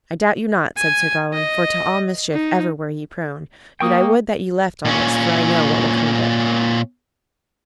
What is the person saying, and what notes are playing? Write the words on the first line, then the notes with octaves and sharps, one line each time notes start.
"I doubt you not," said Sir Gawain, "for to all mischief ever were ye prone; yet I would that ye left all this, for I know what will come of it."
G#5
D#5
D#4
A#3 G5 C#6 D#6
A#2 C#4